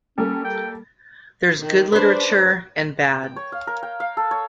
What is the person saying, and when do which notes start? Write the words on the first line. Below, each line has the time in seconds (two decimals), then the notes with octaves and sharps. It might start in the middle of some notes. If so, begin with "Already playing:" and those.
There's good literature and bad.
0.18 G3 A#3 C#4 A4
0.44 G5
1.60 D#3
1.92 D4 B4 C5
3.23 G5
3.36 C#5
3.52 F5
3.67 A#4
3.83 G5
4.00 F5
4.17 A4
4.31 C#5